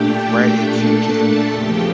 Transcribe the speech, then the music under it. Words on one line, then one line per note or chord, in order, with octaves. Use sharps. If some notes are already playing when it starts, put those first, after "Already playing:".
right, if you can
Already playing: A#2 A3 D4 G4 G5
A4 A5
E2 C#3 F3 G4 G5